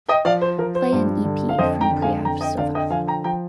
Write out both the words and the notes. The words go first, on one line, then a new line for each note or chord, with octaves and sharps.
Play an ep from Preap Sovath.
D#5 G5
F3 D5 F5
C5
F3 A#4
C5
G2
D3
F5
F2 C5 D#5
G5 A#5
D3
F5 G#5
F2 G5 A#5
D#5 G5
D3 D5 F5
D#5 G5
F3 F5 G#5
G5 A#5
F3 G5 A#5